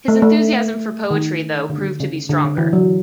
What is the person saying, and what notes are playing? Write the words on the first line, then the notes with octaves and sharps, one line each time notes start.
His enthusiasm for poetry, though, proved to be stronger.
A3
A3
D#3
D3
C#3
D3
D3
E3
F#3